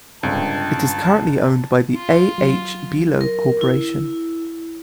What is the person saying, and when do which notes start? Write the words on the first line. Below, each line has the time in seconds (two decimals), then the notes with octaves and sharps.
It is currently owned by the A. H. Belo Corporation.
0.23 C#2 G2 D3 C4 A5
1.95 F4
2.38 F#3
3.21 A#4
3.61 E4